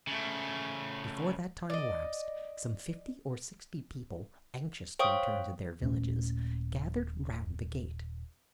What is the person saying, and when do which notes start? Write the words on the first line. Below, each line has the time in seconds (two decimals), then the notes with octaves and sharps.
Before that time elapsed some fifty or sixty people, anxious to return to their villages, gathered round the gate.
0.07 C#3 A3
1.70 D5 D#5
4.99 C5 C#5 F5 G5 C#6 D#6
5.81 D#1 A#2 A3 C#4